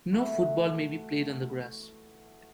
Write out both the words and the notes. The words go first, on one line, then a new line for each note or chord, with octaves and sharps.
No football may be played on the grass.
E3 A3 F#4 B5